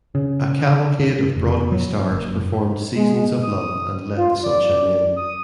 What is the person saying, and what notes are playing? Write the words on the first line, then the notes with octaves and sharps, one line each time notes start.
A cavalcade of Broadway stars performed "Seasons of Love" and "Let the Sunshine In".
C#3
C#3
F1
F#3
F#1
G#3
D#6
F4
D5
D#6